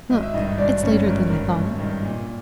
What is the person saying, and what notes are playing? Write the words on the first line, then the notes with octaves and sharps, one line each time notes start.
'Look! it's later than I thought.
G#1 D#5
E5
G2 D#3 D#4 D#5
G#1 D4 D5
G2 D#3 C#4 C#5
G#1 A#4
G2 D#3 A#4
G#1
G2 D#3
A#2